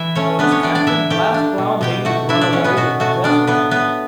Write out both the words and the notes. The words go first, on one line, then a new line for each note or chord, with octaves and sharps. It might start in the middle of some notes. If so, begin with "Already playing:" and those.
"Does Captain Blastblow mean to run away with the vessel?"
Already playing: E3 E4 E5
A3 C#4 C#5
B3 D4 B4
C#4 C#5
E3 D4 D5
D4 D5
E3 E4 E5
A3 G4 G5
D4
B2
B2 G4 G5
A3 F#4 F#5
D4 E4 E5
D4 D5
B2 C#4 C#5
B3 B4
B2 F#4
A3 F#4
B3 D4 D5
A2 B3 B4
A2 B3 B4